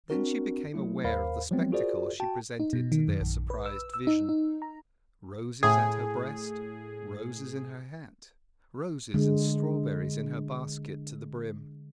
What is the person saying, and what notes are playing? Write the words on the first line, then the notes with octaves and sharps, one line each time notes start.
Then she became aware of the spectacle she presented to their surprised vision: roses at her breasts; roses in her hat; roses and strawberries in her basket to the brim.
C4 D4 F#4 A#4
F#3 A3 E4
D#2 A#4 C5 F5 B5
F3 F#3 G#3 B3 C4
F4 F#4 G#4 A#4 C5 D5
F#4 G5 A5
D#4
B2
D#3
F#2
A#1
B4
E6
E6
D#4
D#4
A#5
A2 G#4
D3 G#3